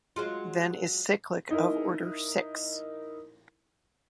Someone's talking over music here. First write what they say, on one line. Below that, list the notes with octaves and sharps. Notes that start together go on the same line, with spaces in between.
Then is cyclic of order six.
F#3 G#3 F4
D#4 E4 A#4